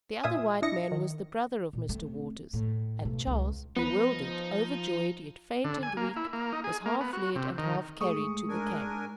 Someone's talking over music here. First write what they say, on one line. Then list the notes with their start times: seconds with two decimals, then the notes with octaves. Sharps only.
The other white man was the brother of Mr. Waters, and Charles, bewildered, overjoyed, yet faint and weak, was half led and half carried to the camp.
0.24 A#2 F4 E5 G#5 D#6
0.62 D4 E4 D#5 A#6 C#7
0.92 D#3
1.73 A#2
1.89 A3 C4
2.53 A2
3.02 B1 A3
3.27 C#2
3.76 F3 B3 D#4 B4
5.65 D3
5.83 G#5
5.97 A#3
6.16 E4
6.33 A#3
6.53 D#4
6.64 G#4
6.86 A#3
7.01 B3
7.13 F#4
7.35 C3
7.58 D#3
8.01 G#2 A3 G#4 C#6 D#6
8.49 D4 A#4 G#5